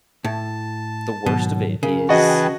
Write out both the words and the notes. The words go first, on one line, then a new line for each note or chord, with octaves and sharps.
the worst of it is
A2 A5
G#2 B2 D#3 F#3
C#3 A#4
E3 F#4 G#4 B4 D#5 G5 A5